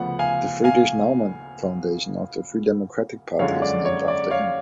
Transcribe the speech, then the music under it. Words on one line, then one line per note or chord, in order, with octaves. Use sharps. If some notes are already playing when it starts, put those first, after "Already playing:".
The Friedrich Naumann Foundation of the Free Democratic Party is named after him.
Already playing: D2 C#3 F3 B3 F#5
F5 G#5
F5 G#5
F#2 D3 G#3 C#4 F4 C#5 F5
D5
C#5
D5
C#5 F5